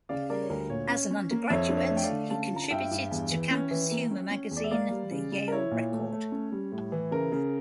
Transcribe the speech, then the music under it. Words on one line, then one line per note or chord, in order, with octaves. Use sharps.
As an undergraduate, he contributed to campus humor magazine "The Yale Record".
C#3 D5 F5
G3 A#4 D5
C#5
D2 A#4
A#2 C#5
C#4
C#4
A#3
F2 C#5 E5
D4
C#5 E5
A3
G5
D5 F5
D3
C#4 F5 A5
F4
A#5
A5
G2 E5 G5
G2
E2
E3
C#4
E3
A#3
C#4
C#4
E2
D5
E5
A#3 D5 F5
G3
C#3
C#3
A#4
E4 C#5
A#2
A3
A3
C#4
G3
A2
E3
C#3 A#4
C#3